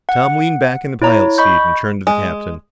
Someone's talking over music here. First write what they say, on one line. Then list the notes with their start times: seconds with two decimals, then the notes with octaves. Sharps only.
Tom leaned back in the pilot's seat and turned to the captain.
0.09 F#5
1.02 E4 C#5 A#5
1.38 D#5 B5 C#6 G6
2.07 G#3